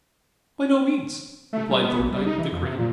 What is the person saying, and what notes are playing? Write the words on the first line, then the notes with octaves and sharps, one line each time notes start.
"By no means," replied Thorndyke, with a grin.
A3
G3
B3
A#1
G3
D#4
E3
F2
C3
A#2